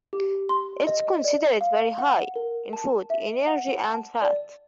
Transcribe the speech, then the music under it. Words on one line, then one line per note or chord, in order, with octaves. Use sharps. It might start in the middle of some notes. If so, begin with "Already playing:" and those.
It is considered very high in food energy and fat.
G4
C6
D#5
D5
F5
F#5
A#4
A5
E5
F#5
A5
D5